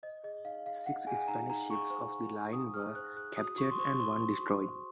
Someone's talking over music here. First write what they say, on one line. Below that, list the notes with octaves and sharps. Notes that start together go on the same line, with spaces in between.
Six Spanish ships of the line were captured and one destroyed.
C5 D#5
G#4 D#5
D#4 F5
G#4 F5
D#4 F#5
G#4 G#5
D#4 A#5
D#4 A#5
G#4 C#6
C5
G#4
D#4
D#4 D#6
G#4 F6
C5 F#6
G#4 F#6
F#4 D#6
F#4 C#6
C6
C5 C#6
C5 C6
C5
F#4
C5